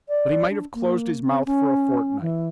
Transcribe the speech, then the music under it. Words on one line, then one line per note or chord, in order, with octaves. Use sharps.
But he might have closed his mouth for a fortnight.
D5
D4
A#3
C4
C#4
E3